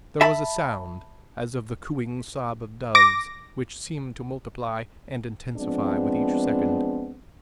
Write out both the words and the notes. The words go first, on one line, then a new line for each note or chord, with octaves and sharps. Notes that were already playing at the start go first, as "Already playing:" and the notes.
There was a sound as of the cooing sob of doves, which seemed to multiply and intensify with each second.
E5 A5 B5
D6 A#6
F3 G#3 B3 C4 D4